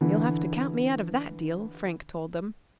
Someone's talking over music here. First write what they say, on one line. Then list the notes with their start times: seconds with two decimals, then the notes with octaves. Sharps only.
"You'll have to count me out of that deal," Frank told them.
0.01 D3 E3